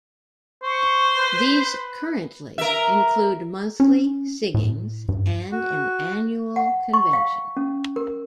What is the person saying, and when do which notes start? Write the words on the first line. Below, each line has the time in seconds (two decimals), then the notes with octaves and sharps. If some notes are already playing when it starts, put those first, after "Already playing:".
These currently include monthly singings and an annual convention.
0.63 C5 C#6
1.16 B4
2.58 A#4 E5
3.80 C#4
4.54 A2
5.09 G2
5.51 F#4
6.56 F#5
6.93 C#6
7.13 F5
7.57 C#4
7.96 A#4